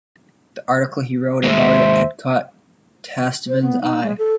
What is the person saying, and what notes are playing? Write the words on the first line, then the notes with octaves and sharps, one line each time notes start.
The article he wrote about it had caught Tastevin's eye.
D#2 G#3 C5 E5
C5
B3
D#4
G#3
A4